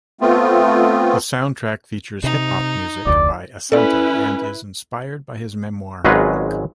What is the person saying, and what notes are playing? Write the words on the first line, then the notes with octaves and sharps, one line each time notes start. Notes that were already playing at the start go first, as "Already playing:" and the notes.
The Soundtrack features hip-hop music by Asante and is inspired by his memoir "Buck".
A3 B3 C4 F4
C3 D#4
F1 D2 D3 D5
C#4 E4 A4 B4 D5
G#1 F#3 G#3 C#4 F4 B4